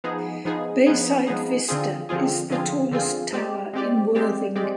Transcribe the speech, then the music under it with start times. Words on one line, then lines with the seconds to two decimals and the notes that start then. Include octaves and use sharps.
Bayside Vista is the tallest tower in Worthing.
0.04 F3 B3 D#4 G#4
0.45 F3 B3 D#4 G#4
0.86 F3 B3 D#4 G#4
1.27 F3 B3 D#4 G#4
1.68 D3 F3 C4 F4 G#4
2.09 D3 F3 C4 F4 G#4
2.50 D3 F3 C4 F4 G#4
2.91 D3 F3 C4 F4 G#4
3.33 G#3 C4 G4 D5
3.73 G#3 C4 G4 D5
4.15 G#3 C4 G4 D5
4.55 G#3 C4 G4 D5